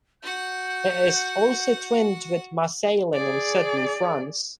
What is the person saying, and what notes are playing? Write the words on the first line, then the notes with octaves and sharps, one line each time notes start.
It is also twinned with Marseillan in southern France.
F#4 F#5 G6
G#4 D5